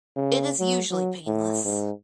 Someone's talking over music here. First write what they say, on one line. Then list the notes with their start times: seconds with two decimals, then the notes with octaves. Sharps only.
It is usually painless.
0.16 C#3
0.60 F#3
0.91 F#3
1.27 A2
1.65 G#2